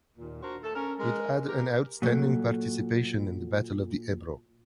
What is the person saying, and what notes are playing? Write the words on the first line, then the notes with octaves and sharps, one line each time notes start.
It had an outstanding participation in the Battle of the Ebro.
D#2 A#2
D4 F#4 A#4 C5
A3 A4
C#4 A#4
G#3 A#4
G4 A#4
A#2 F#3 A3